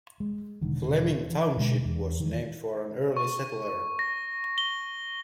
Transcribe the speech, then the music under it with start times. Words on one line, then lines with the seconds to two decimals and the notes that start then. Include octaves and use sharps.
Fleming Township was named for an early settler.
0.20 G#3
0.61 E1 D3 D#3
1.30 E3
1.57 B2 D3 G#3 D4
1.85 E2
2.20 D#3 E3
3.17 C#6
3.99 A#6
4.58 G7